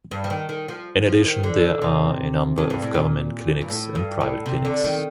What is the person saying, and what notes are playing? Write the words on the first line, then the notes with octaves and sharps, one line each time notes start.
In addition there are a number of government clinics and private clinics.
G2
F3
D#3
D#3
F3
F3
D#3
D3
C3
F2
G2
A2
A#2
G2
A2
G2
A2
C3
D3
D#3